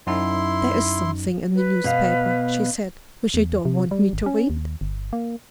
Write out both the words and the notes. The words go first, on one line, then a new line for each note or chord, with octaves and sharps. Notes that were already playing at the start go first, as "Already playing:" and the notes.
"There is something in the newspaper," she said, "which you don't want me to read."
F#2 D#4 E4 C6
B4
B2 F5
E2
C3
G3
G#1
C#4
D#2
G1
A#3